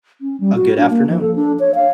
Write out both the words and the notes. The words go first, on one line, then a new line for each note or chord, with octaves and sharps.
a good afternoon.
C#4
G3
F#4
D4
A#3
F3
A4
D4
C#5
F5